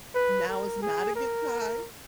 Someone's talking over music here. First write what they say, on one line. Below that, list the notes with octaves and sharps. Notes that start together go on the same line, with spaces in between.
now is not a good time"
B4
A#4
G#4
A#4